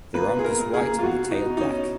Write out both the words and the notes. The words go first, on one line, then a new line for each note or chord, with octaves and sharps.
The rump is white and the tail black.
A#3 B4
A#2 G#4
A#4
A#2
G#4
A#3
F4
B2 F#4
B2
D#4
B2
D#4
C#4
B2